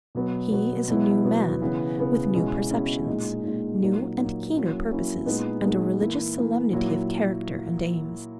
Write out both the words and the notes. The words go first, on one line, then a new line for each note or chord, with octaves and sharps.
He is a new man, with new perceptions, new and keener purposes, and a religious solemnity of character and aims.
B2 F#3 B3
B2 F#3 B3
B2 F#3 B3 E4
B2 F#3 B3 E4
C#3 E3 B3
C#3 E3 B3
B2 G#3 C#4 E4
B2 G#3 C#4 E4
A#2 G#3 D#4
A#2 G#3 D#4
A#2 F#3 A#3 D#4
A#2 F#3 A#3 D#4
F#3 A#3 C#4 E4
F#3 A#3 C#4 E4
A#2 G#3 B3 D#4
A#2 G#3 B3 D#4
E3 A#3 E4
E3 A#3 E4
A#2 F#3 A#3 E4